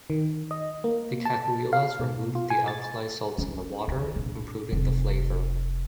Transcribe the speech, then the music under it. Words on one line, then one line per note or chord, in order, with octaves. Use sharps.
The Cahuillas removed the alkali salts in the water, improving the flavor.
D#3
D#5
A#3
A5
F5
B2
F4
G#5
A6
C#4
D#3
A#1
F1